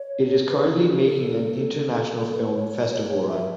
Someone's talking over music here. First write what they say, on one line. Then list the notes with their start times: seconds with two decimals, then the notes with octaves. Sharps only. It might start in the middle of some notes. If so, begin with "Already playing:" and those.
It is currently making an international film festival run.
Already playing: C#5
0.48 B4
0.67 E4
0.76 F#4
1.05 A4
2.16 A4
2.36 B4
2.55 C#5
3.28 E5